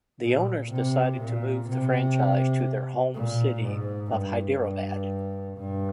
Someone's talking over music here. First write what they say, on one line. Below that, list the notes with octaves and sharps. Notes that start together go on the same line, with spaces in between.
The owners decided to move the franchise to their home city of Hyderabad.
A#2
C3
A#2
C3
A#2
G#2
G2
G2
G2